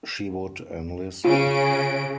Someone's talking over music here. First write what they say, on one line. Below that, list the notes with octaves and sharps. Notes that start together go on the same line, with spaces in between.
She would enlist.
C#3 C#4 F4 D7